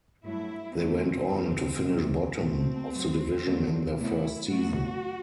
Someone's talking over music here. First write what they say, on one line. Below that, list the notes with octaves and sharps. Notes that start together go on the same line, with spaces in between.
They went on to finish bottom of the division in their first season.
G2 F#3 A3 E4
E2 D3 F#3 A3 C4
E2 D3 G3
D2 C3 F#3
B2 A3 C4
F#2 F#3 A3
E2 D3 F#3 A3
E2 C3 F#3 A3 E4
F#2 F#3 A3 F#4